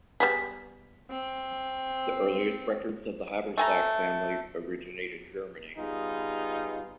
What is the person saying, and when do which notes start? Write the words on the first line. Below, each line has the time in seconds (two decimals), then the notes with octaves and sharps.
The earliest records of the Habersack family originate in Germany.
0.20 G3 B3 G#4 B6
1.10 C4
3.58 A3 G#5 A#5
5.78 G3 B3 D#4 F4 G#4